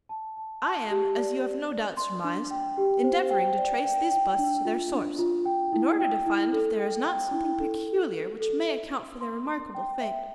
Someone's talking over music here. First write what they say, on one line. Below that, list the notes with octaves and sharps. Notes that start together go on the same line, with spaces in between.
I am, as you have no doubt surmised, endeavouring to trace these busts to their source, in order to find if there is not something peculiar which may account for their remarkable fate.
A5
A5
A5
G4
D5
D5
D5
C6
D4
G5
G4
C5
G5
D5
G5
G5
D4
F4
D4
F4
G5
E4
G5
E4
A4
G5
G5
E4
A4
A4
A4
A4
E5
C6
C6
C6
G5
E5